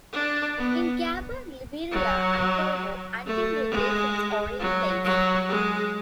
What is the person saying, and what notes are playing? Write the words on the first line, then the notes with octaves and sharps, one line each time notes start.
In Gabon, Liberia and Togo, hunting regulations are in place.
D4
B3
F#3
A3
G#3
F#3
F#3
G#3